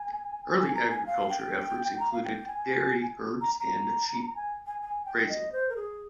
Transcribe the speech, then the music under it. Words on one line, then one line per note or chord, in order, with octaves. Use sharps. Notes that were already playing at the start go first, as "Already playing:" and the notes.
Early agricultural efforts included dairy herds and sheep raising.
Already playing: G#5
G#5
A#5
G#5
F5
G5
A#5
F5
G5
G#5
A#5
A#5
G#5
G#5
G#5
G5
D#5
C5
A#4
G#4